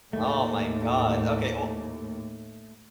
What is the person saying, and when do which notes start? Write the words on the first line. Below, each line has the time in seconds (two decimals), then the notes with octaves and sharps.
Oh my God. Okay, well eh,
0.13 D#2 A2 A3